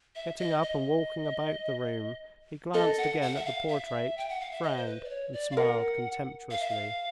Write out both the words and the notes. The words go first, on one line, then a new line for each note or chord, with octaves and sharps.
Getting up and walking about the room, he glanced again at the portrait, frowned, and smiled contemptuously.
E5
D#5
D#5
A4 D#5
F#5
F#5
E5
F5
E5
G5
F#5
F5
E5
D#5
C5
B4
D5
C#5
D5
F5
A#4 F#5
F5
E5
F5